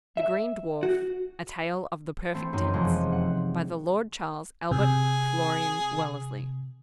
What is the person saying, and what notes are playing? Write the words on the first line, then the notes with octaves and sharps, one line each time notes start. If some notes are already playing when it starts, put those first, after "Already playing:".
"The Green Dwarf, a Tale of the Perfect Tense," by the Lord Charles Albert Florian Wellesley.
E5
F#4
E3 A3 C4
F#2 C4 D#4
F1 F2 G#3
F#5
C3 G#4